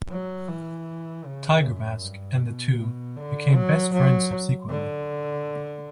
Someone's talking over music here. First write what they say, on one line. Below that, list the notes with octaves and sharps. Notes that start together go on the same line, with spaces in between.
Tiger Mask, and the two became best friends subsequently.
F#3
E3
C#3
F#2
G2
B2
B2
D3
F#3
F#3
D3